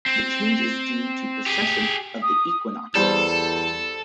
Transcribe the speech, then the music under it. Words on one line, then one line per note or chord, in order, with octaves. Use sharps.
The change is due to precession of the equinoxes.
C4
G4 G#4
D#6
E2 G3 A4 C5